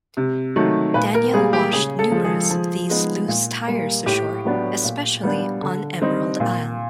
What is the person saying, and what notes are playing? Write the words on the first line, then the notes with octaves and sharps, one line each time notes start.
Danielle washed numerous of these loose tires ashore, especially on Emerald Isle.
C3
D#3 F#3 A3
A#2 B4
A#4
G3 A#3 G#4
G4
C#3 G#4
A4
F3 G#3
G#4
F3
G#3 B3 D#4
A#2
G3 A#3
A2 G4
F#3 B3 D4
A#2
G3 B3 D4
D3
G3 C4 D#4
A#2